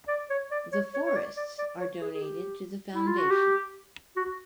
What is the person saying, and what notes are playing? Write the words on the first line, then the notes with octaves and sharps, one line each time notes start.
The forests are donated to the foundation.
D5
C#5
D5
C#5
C#5
C#5
D5
D5
D5
C#5
G#4
G#4
G4
E4
F4
F#4
G4
F#4